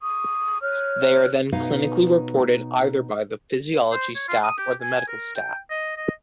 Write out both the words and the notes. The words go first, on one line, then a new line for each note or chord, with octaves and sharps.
They are then clinically reported either by the physiology staff or the medical staff.
C#6 D#6
C#5 F6 F#6
B2 D#4 B4 C#5 F5
C5
C#5
F4
D#6
G4
G#5
A#4
G5
D#5
D#5